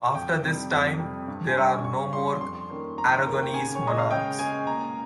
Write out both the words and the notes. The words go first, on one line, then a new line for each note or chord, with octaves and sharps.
After this time, there are no more Aragonese monarchs.
F2 G5
C3 G3
F2
C3 G3
G2
G#5
G3 C#4
G2 C#6
G3 C#4 C6
F2 C6
D#3 A#3 C#4
F2 A#5
D#3 A#3 C#4
G5
C#3 G#5
C#5
G#3 C#4 D#5
F5
C#3 G5
G#3 C#4 G#5
A#2 A#5